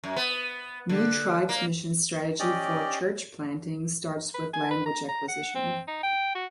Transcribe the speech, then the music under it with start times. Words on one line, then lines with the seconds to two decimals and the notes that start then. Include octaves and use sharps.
New Tribes Mission's strategy for "church planting" starts with language acquisition.
0.04 F#2
0.16 B3
0.89 D3
1.49 A#3
2.39 C#4 G4 D5 D#5
4.34 B4
4.54 G#5
4.71 B4
4.86 A#5
5.09 A#5
5.28 F#5
5.55 C4
5.88 D#4
6.03 G5
6.35 F#4